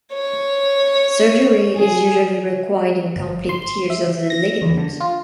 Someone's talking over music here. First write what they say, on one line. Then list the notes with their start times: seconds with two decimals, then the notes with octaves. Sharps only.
Surgery is usually required in complete tears of the ligament.
0.13 C#5
1.76 G#4
3.16 G1
3.49 C6
3.90 E5
4.30 A#6
4.62 E2
4.77 D3
5.00 F4